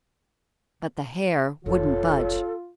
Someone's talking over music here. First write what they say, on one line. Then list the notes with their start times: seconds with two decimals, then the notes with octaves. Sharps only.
But the hair wouldn't budge.
1.65 F1 B1 F4 A4 C#5